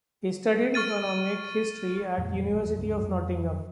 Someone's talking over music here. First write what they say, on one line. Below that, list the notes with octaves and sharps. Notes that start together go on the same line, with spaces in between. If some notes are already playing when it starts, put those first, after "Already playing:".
He studied Economic History at the University of Nottingham.
C#6 F6 A6 D#7
F2 A#2 E3 G#3
A#1 G#3
E2
C#2 G2 G#3
F2 F#3